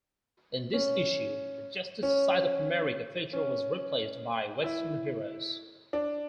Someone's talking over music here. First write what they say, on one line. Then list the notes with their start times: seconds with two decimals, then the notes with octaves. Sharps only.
In this issue, the "Justice Society of America" feature was replaced by Western heroes.
0.73 C#4
2.03 C#4
3.33 C#4
4.64 E4
5.93 D4